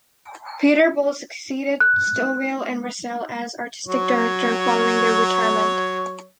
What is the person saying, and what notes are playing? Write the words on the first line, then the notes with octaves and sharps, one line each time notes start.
Peter Boal succeeded Stowell and Russell as Artistic Director following their retirement.
F#6
F#3 C#5